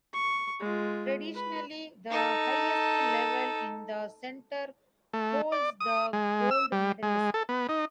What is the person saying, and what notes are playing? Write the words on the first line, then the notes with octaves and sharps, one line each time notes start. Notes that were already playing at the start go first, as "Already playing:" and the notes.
Traditionally, the highest level in the center holds the gold medalist.
C#6
G#3 F4
B4
D#4 A4
A3
D5
D#6
G#3
E6
G3
G#3
A4
B3
D#4